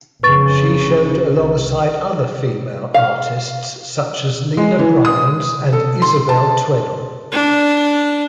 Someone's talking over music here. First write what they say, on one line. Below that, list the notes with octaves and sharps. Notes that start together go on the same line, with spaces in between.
She showed alongside other female artists such as Lina Bryans and Isabel Tweddle.
F1 C#3 B4 C#6 A6
C2
F5
G#3
E3
D#6
A4
C6
A5
D4